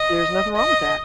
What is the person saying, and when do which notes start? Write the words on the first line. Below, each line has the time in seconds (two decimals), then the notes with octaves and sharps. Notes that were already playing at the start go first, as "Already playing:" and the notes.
There's nothing wrong with that.
Already playing: D#5
0.56 D#5